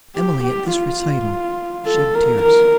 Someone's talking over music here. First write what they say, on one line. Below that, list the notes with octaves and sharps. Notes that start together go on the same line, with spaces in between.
Emily, at this recital, shed tears.
G4
G4
F4
A4
A#4
A#4